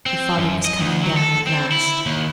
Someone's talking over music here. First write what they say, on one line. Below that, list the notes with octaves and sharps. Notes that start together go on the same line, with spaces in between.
Her father was coming down at last.
C4
F#2
D#5
D2
F#3
A4
C4
E4
D#2